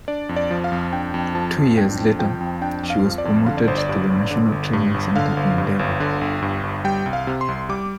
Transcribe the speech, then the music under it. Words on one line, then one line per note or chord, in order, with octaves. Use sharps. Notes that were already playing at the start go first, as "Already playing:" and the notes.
Two years later, she was promoted to the national training center in Deva.
D4 D5
F2
D5
F3
F5
F2
D4 G5
F2
F3 A5
F2
D4 G5
F2
F3 G5
F2
D4 G5
F2
F5
F3
D5
F2
D3 F5
D5
G1 C5
D5
G2
G1
D3
G1
G2
G1
D3 F5
G1
G2
G1
D3
G1
G2
G1
G3 G5
C2
F5
C3
C6
C2
G3 D6